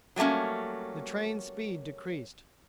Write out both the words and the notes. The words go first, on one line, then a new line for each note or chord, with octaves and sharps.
The train's speed decreased.
F#3 G3 A3 A#3 C#4